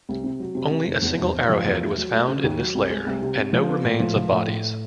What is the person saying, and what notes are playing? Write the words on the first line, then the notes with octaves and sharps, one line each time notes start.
Only a single arrowhead was found in this layer, and no remains of bodies.
C2
C3
F#3
C3
C3
F1
E2
F1
F1
F3
E2
A3
F#3
A3
C#3
D#2
F#3
C2
G#3
C2
C3
C3
F3
B3
A2
F3
F3
A2
A2